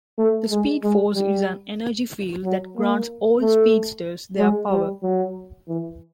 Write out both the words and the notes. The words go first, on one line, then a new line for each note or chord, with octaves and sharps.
The Speed Force is an energy field that grants all speedsters their power.
A3
G#3
G#3
G3
F#3
A#3
A3
G#3
G3
F#3
E3